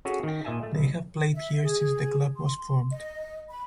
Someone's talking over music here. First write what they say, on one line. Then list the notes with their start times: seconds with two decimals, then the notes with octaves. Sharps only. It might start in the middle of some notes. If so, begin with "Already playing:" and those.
They have played here since the club was formed.
0.05 C#4 F#4 G#4 A4
0.23 D#3 G5
0.45 A#2 D#5 E5 G#5 A5
0.63 A3
0.74 B1
1.35 E5
1.62 G#4
1.80 G#4
2.36 C6
2.91 D#5
3.50 B5